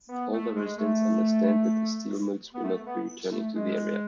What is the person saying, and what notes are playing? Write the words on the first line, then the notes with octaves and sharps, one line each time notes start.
Older residents understand that the steel mills will not be returning to the area.
B3
A3
G#3
A3
B3
A3
B3
A3
G#3